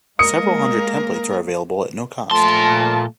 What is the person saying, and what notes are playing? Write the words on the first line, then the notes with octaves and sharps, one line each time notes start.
Several hundred templates are available at no cost.
G#3 A#3 A#4 D#6 C#7
A#2 F3 A3 A5 C6